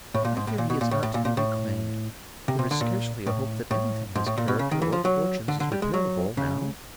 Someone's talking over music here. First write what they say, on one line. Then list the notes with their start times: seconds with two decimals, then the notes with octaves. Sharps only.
I fear he is not to be reclaimed; there is scarcely a hope that anything in his character or fortunes is reparable now.
0.14 A2
0.25 A#2
0.37 G#2
0.47 A2
0.58 A#2
0.70 B2
0.81 A#2
0.91 A2
1.03 A2
1.14 A#2
1.25 A#2
1.37 A2
2.48 C3
2.59 C3
2.71 D3
2.81 A#2
3.26 A2
3.71 A2
4.15 G#2
4.26 A2
4.37 A#2
4.48 B2
4.59 C#3
4.71 D#3
4.82 E3
4.93 F3
5.05 F#3
5.48 D3
5.60 D3
5.72 G3
5.82 G#3
5.94 F#3
6.37 C#3